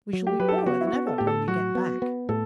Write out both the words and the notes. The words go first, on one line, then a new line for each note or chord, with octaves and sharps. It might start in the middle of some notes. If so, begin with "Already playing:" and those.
We shall be poorer than ever when we get back.
F#3
G4
F#3 B4
A4
G4
B3 F#4
E4
F#4
B3
A4
A2 G4
A4
F#3 F#4
B3
B3
A2 A4